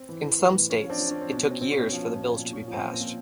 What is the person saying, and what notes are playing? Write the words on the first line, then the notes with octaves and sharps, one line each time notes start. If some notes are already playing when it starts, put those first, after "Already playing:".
In some states, it took years for the bills to be passed.
Already playing: C4
E3
E3
E3
A2
F3 C#4
F3 C4 D4
F3
F3 C#4
C4
B2 C#4
B2
C4
B2 C4
C#4
B2
F3
A#2
A#2
A#2
A#2 C#4
F3
C4
A#2
C4
A#2